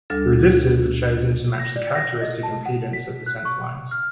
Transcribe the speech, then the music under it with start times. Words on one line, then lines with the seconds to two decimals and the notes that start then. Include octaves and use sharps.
The resistors are chosen to match the characteristic impedance of the sense lines.
0.10 D2 G3 D4 A4 A6
1.59 A#6
1.76 D5
1.95 A#6
2.21 D#5
2.43 A5
2.66 F#5
2.93 B6
3.26 F#6
3.45 C#6
3.91 F6